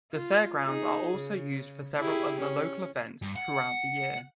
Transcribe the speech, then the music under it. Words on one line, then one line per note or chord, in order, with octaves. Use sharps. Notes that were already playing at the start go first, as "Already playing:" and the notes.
The fairgrounds are also used for several other local events throughout the year.
F4
D#4 G#4
C#3
E4 G4 G#4
C#4
G2
F#5